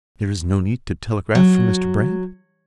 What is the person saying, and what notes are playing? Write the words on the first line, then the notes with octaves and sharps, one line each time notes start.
"There is no need to telegraph for Mr. Brand?"
F#3